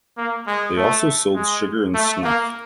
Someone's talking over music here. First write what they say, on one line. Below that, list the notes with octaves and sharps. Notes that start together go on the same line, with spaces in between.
They also sold sugar, and snuff.
A#3
G#3
A3
G#3
A3
A#3